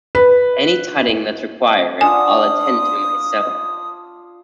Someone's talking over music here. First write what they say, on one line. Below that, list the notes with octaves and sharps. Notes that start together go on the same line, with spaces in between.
Any tutting that's required, I'll attend to myself.
B4
D4 F4 F#5 G#5 D#6